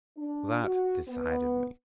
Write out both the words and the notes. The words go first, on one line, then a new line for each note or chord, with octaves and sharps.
That decided me.
D4
F#4
B3